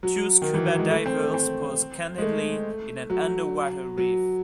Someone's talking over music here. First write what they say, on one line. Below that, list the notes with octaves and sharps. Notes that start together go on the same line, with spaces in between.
Two Scuba Divers pose candidly in an underwater Reef.
F#3
D#3
E3
F#3
G#3
A3
C4
A3
C4
G#3
A3
F#3
F#3